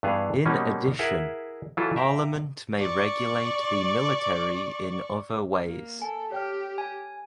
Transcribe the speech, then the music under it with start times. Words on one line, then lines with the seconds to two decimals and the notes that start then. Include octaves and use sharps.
In addition, Parliament may regulate the military in other ways.
0.03 G2 E3 B3 G#4 F5
0.46 B2 G3 G#3 A#3 C#4 D#4
0.99 E4 G#4 A#4 E5 F#5
1.77 E3 F#3 E4 F4 A4
1.96 E5 F5 G5 A#5
2.78 D5 C#6
5.65 A#3
6.02 A4 G#5
6.32 G4 C#5 G5 F6
6.78 G#5